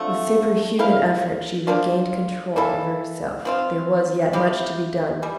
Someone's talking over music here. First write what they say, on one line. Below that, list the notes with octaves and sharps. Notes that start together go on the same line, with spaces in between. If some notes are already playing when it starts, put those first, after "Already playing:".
With superhuman effort she regained control over herself--there was yet much to be done.
Already playing: D3 F3 A3 C4
C4 E4 A#4 F5
F3 A#3 D4 F4
E3 A#3 E4 A4
F3 C4 F4
F3 C4 E4 G4
E3 G3